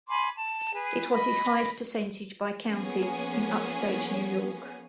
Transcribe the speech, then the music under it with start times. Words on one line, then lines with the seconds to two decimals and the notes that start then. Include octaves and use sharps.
It was his highest percentage by county in upstate New York.
0.09 G#5 B5 C6 D6
0.36 A5
0.74 G#4 B4
1.12 D#5 B5
2.63 F3 A#3 B3 C#4 G#4